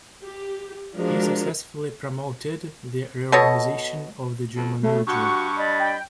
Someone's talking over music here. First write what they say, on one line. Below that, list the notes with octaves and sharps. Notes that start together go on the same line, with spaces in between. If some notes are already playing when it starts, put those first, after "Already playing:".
He successfully promoted the reorganization of the German military.
G4
F3 G#3 D4 F#4 A#4
B2 A4 C#5 D#5
F2
C#3 A3
G2 F#4 C#6
D5 D#5 B5
G5